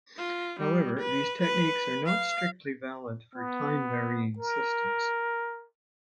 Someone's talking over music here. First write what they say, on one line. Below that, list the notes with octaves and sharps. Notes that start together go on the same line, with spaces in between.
However, these techniques are not strictly valid for time-varying systems.
F4
G3
B4
B4
F5
B3
A#4